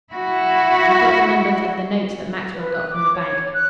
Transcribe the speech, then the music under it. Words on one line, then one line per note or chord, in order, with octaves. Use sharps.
You've got the numbers of the notes that Maxwell got from the bank.
E4 F#4
B4
F#6
D6
C#5
F#6